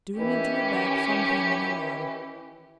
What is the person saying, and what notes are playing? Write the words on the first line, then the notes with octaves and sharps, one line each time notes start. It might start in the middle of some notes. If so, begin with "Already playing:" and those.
Dounia drew back from him in alarm.
D#3 E3 C#4 G4